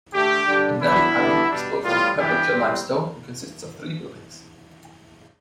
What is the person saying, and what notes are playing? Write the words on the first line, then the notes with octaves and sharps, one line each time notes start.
Penally Abbey is built from Pembrokeshire limestone and consists of three buildings.
D3 A3 D4 G4
D3 G3 D4
E3 B3 D4 E4
D3 G3 B3 D4
B2 G3 D4
A2 G3 B3 F4
G2 E3 B3 D4 G4
A2 G3 C4